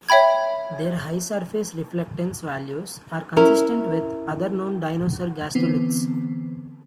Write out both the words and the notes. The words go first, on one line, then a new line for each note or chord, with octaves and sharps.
Their high surface reflectance values are consistent with other known dinosaur gastroliths.
C#5 E5 G5 B5 G#6
C#4 E4 A#4
D3 E3 B3 C4